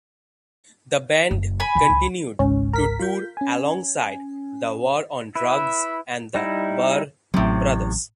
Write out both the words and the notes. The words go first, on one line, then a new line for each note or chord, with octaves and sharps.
The band continued to tour alongside The War on Drugs and The Barr Brothers.
F#1
G#5 B5
C#3 B3
C#2
G#1 C#2 G#2 C#4
A#4 B6
F4 G6
C#4 G#5
E4 B4 E5
G3 D#4 E4
A1 A2 C3 F#3